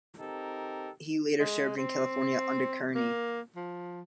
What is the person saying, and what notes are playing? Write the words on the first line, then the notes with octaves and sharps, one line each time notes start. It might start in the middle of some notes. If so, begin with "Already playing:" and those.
He later served in California under Kearny.
C4 D#4 G4 A4 A#4
G#3
C4
A#3
F3